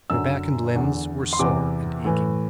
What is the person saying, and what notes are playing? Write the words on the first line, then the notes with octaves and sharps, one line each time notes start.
Her back and limbs were sore and aching.
F#2 D3 E6
E2 D3
C6
E2 C3 E3 D6
A2 E3